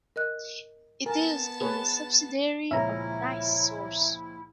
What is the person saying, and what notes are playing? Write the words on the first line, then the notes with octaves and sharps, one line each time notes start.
It is a subsidiary of NiSource.
A#4 D#5 F#6
B3 A#4 G#5 A5
G#4 B4 C#5
C#2 A#2 F3 C#4 E4 E5 A#5